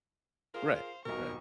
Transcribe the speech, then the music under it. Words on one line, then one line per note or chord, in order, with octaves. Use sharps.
Right, right.
F4 G#4 A#4 C5 F5
D#1 B1 B2 D#4 A#4 C#6